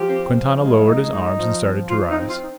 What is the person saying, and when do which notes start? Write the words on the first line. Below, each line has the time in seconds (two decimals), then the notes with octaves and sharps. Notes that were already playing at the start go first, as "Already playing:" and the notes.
Quintana lowered his arms and started to rise.
Already playing: F3 G4
0.09 C4
0.34 F3
0.61 G#3
0.86 D#4
1.13 D#4
1.39 F3
1.64 C4
1.90 F3 F4
2.10 D#4
2.17 C4
2.30 F4
2.43 D#4